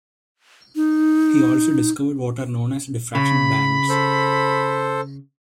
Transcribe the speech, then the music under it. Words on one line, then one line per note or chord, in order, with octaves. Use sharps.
He also discovered what are known as diffraction bands.
D#4
C#3 B5
A4 C5